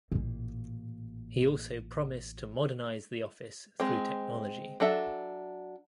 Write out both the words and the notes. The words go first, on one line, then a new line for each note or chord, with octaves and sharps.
He also promised to modernize the office through technology.
A1 A#2
G#3 C4
F#3 D4 A4 E5